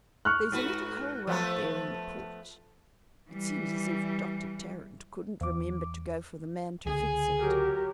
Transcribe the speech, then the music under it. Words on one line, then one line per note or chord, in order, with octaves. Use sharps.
There's a little hole right there in the porch; it seems as if Doctor Tarrant couldn't remember to go for the man to fix it.
C#6 F6 F#6
G#2 F#4 B4
F3 A3 B3
E3 G3
E2 D6
C#2 D3 G#4
F#3 G4 A#4